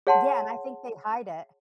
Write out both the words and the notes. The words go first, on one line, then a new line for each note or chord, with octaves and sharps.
Yeah, and I think they hide it.
G#4 C#5 F#5 A5 C6